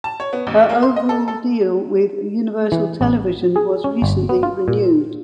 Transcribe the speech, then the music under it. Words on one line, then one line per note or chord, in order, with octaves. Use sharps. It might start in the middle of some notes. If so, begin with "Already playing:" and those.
Her overall deal with Universal Television was recently renewed.
A5
C#5
B3
A1
A#3
C6
D#5
A4
A4
E3
A1
G#4
C#4
G1
B3
F4
A#2